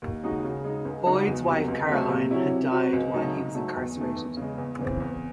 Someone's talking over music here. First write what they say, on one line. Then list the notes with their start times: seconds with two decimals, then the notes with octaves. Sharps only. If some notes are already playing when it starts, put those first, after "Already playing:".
Boyd's wife Caroline had died while he was incarcerated.
0.02 D#2
0.23 C#3 G#3 D#4 F#4
0.44 C#3
0.64 G#3 D#4
0.85 C#2
1.05 C#3 G#3 D#4 F#4
1.27 E2
1.47 C3 F#3
1.68 C#2
1.89 C#3 F#3 A3 C4
2.09 C3
2.31 F#3 C#4 E4
2.51 C3
2.71 F#3 C4 F#4
2.93 C#2
3.14 C#3 F#3 A3 D#4
3.34 G#2
3.55 F#3 A3
3.75 E2
3.96 D#3 A3
4.17 E2
4.37 C#3 G#3
4.58 E2
4.79 C#3 E3 C4
5.00 E2